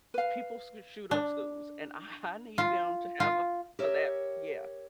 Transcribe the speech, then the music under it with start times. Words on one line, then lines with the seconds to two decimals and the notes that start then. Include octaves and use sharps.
s people sc shoot up schools and I need them to have a for that Yeah,
0.14 B4 F5
1.11 D4
2.58 F4
3.20 F4
3.79 G4 A#4 C#5 E5